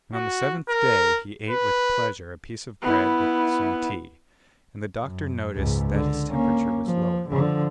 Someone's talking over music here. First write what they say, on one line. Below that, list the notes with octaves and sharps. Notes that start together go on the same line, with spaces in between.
But on the seventh day he ate with pleasure a piece of bread with some tea, and the doctor noticed that his temperature was lower.
F#4
A#4
B4
B3 E4
F#2
C#2 G#2
D3
A#3 C#4
F3
D3 F3